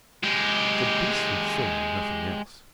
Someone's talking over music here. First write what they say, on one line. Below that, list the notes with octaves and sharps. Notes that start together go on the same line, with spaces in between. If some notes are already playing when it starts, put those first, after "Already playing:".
It's a beastly thing and nothing else.
G#3 G4